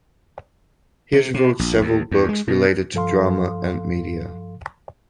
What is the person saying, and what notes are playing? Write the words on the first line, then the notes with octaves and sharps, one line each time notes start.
He has wrote several books related to drama and media.
C3
C3
A#1
D#2
E2
G#3
B2
G2 F3 A4 F5 C6